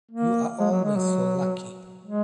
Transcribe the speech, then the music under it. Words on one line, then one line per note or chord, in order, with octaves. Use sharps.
You are always so lucky.
A#3
G#3
F#3
G#3
F#3
G#3